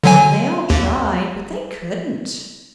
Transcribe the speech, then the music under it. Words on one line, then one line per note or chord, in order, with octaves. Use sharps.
And they all tried, but they couldn't.
D3 F#3 G#5
D#2